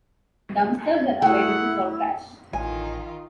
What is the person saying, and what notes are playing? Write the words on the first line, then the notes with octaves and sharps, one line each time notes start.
Dumpsters are available for trash.
A3 E4 G#4 F#5
A1 D#3 F4 G#5